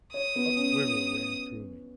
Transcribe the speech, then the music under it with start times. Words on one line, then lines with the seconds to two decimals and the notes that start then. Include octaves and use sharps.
A quiver ran through me.
0.14 C#5 D#6
0.36 B3
0.57 C#4
0.78 C#4